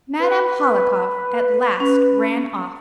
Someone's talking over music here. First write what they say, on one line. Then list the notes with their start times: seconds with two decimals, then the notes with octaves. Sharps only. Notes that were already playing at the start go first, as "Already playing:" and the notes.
Madame Hohlakov at last ran off.
0.19 B4
1.80 C#4